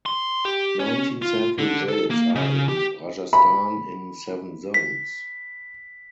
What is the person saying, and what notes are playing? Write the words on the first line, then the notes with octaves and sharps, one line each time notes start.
Nineteen Central Jails are in Rajasthan in seven zones.
C6
G4
C#4
F4
D3
A4
A#3
C#3
G4
B5
B6